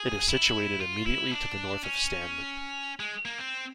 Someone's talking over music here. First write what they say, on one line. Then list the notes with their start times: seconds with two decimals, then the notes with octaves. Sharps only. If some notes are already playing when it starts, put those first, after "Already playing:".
It is situated immediately to the north of Stanley.
Already playing: G#4
0.29 E4
0.81 F4
1.06 E4
1.32 D4
1.84 C#4
3.00 G#3
3.25 A#3
3.38 C4